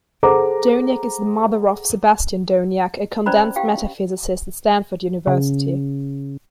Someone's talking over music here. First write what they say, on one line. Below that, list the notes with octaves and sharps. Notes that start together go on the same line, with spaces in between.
Doniach is the mother of Sebastian Doniach, a condensed matter physicist at Stanford University.
G#4 A4 C5 F#5 A#5 D6
C#4 C5 D5 A#5 B5
G4 F5 G5
C#3